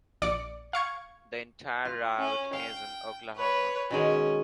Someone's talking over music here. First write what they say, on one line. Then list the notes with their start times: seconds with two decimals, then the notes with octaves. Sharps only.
The entire route is in Oklahoma.
0.22 A#1 D5 D6 C#7
0.73 F5 C#6 G#6
1.85 F4
2.18 C#4
2.53 F5 G5
3.36 B4 C#5
3.91 B2 D#3 G#3 C#4